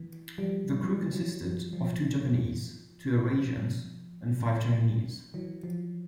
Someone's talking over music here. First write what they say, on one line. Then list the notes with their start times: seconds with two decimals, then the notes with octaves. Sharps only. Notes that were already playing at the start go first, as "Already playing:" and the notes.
The crew consisted of two Japanese, two Eurasians, and five Chinese.
Already playing: E3
0.38 F3 G3
0.84 E3 F#3
1.13 E3 F#3
1.44 F3
1.73 F3
5.34 E3 F#3
5.63 F3